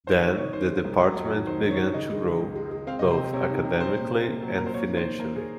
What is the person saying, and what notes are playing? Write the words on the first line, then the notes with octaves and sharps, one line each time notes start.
Then, the Department began to grow, both academically and financially.
D#3 C5
D#3 C#5
D#3 C#5
D#3 C5
G#3
C2
F#3 D#5
F2
C#5
D#3
D#3 C5
D#3
C#5
D#3
C#3 D#5
G#3
G#3
C#2
G#3
G#3
C4 F5
D#5
C3
C5
C4
C3 C#5
D#4
C3
C#4 C5
A#2
A#2
A#2
F#3
A#2 A#4
C5
A#3 C#5
D#3
C5
D#3
A#3 A#4
A#3 G#4